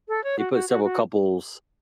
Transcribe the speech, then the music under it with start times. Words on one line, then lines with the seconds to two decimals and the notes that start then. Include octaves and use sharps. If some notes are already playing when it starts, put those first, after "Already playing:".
they put several couples
0.08 A4
0.24 C#5
0.39 F#4
0.53 F#4
0.69 F#4
0.84 F#4